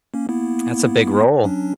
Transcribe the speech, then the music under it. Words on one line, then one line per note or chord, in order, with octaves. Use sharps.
That's a big role.
A#3 C#4
A#3 B3 E4
F#3 C#4 D4